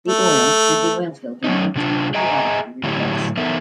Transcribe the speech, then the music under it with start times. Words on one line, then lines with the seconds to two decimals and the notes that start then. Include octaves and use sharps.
The oil and the oil filter need to be periodically replaced.
0.08 A3
1.44 F#3 A3 C#4 D#4
1.75 C3 D4 F4
2.15 G#4 D#5 E5 G5 G#5 A#5
2.83 A2 D3 F#3 C4 E4 G4
3.37 E3 B3 D#4 A4 A#4 E5